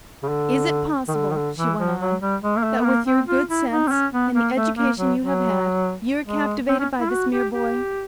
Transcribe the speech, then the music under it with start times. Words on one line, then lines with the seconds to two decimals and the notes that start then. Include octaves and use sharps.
"Is it possible," she went on, "that with your good sense, and the education you have had, you are captivated by this mere boy?"
0.23 C#3
0.29 D3
1.08 D#3
1.14 D3
1.31 D#3
1.36 D3
1.57 E3
1.78 F3
2.00 F#3
2.21 G3
2.42 G#3
2.56 A#3
2.63 A3
2.80 B3
2.85 A#3
3.06 C4
3.27 F4
3.49 E4
3.70 D#4
3.87 C4
3.91 C#4
4.12 B3
4.34 A#3
4.55 A3
4.76 A#3
4.98 F#3
5.19 F#3
6.26 G#3
6.68 C4
6.79 C#4
7.00 E4
7.11 F#4
7.32 G4
7.53 G4